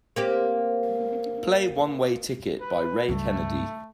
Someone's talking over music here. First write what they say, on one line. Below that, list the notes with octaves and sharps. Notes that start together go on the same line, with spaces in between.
Play One Way Ticket by Ray Kennedy.
A#3 C4 G4
B4
C#2 G2 A3